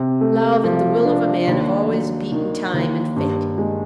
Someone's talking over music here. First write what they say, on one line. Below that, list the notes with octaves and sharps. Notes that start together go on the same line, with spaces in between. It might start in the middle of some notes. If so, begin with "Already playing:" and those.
Love and the will of a man have always beaten Time and Fate.
Already playing: C3
A3
F3
D4
D#2
F#3
D#3
D#2
G2
G#3